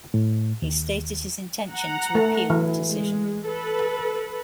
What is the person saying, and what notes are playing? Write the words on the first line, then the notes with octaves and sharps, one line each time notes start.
He stated his intention to appeal the decision.
A2
D#2
F#5 A#5
A3
E3 F#3
G#3
A4 B4